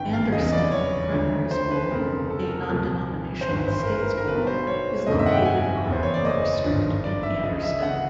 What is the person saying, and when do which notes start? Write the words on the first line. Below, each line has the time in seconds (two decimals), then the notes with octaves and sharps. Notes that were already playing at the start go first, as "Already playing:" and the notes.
Anderston Primary School, a non-denominational state school, is located on Port Street in Anderston.
Already playing: G#1 G2 E3 G5
0.13 F5
0.32 F1 E2 C#3 E3 D#5
0.53 D5
0.72 C#5
1.12 D2 D3 F3
1.51 C5
1.71 B4
1.91 F1 F2 C#3 A#4
2.30 A4
2.50 A#4
2.70 C2 A#2 F3
3.41 C5
3.48 G#1 G2 E3 B4
3.68 C5
3.83 A#4
3.88 B4
3.98 A#4
4.17 A#4
4.28 B1 B2 B4
4.47 C5
4.67 C#5
5.07 G1 F2 C3 D#3 D#5
5.19 E5
5.26 F#5
5.32 G5
5.46 G#5
5.85 F#1 E2 C#3 E3
5.92 C5
6.03 C#5
6.14 D5
6.25 D#5
6.64 G#1 G2 D3 F3
7.04 D5
7.23 E5
7.43 C#2 C#3 F3 D#5
7.63 E5
7.83 F#5